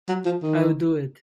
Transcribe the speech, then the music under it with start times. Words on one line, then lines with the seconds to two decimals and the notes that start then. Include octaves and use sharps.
I'll do it.
0.09 F#3
0.25 F3
0.42 D#3